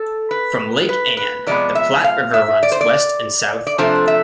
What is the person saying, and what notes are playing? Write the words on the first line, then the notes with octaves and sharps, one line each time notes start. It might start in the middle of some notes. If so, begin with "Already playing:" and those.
From Lake Ann, the Platte River runs west and south.
Already playing: A4
B4
B4
B4
C3 F3 G#3 B3 D5
E5
F5
E5
D5
C5
D5
D5
C3 F3 A3 D4 C5
E5